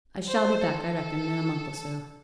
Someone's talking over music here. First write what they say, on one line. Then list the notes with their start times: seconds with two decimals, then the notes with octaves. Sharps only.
I shall be back, I reckon, in a month or so.'
0.28 C5
0.61 A4
0.95 A4